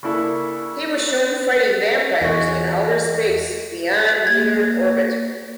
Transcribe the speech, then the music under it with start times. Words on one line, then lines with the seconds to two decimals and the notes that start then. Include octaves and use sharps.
He was shown fighting vampires in outer space beyond lunar orbit.
0.03 C#3 A#3 D4 E4 A4
2.21 E2 G#3 F#4
4.27 A#3 G#6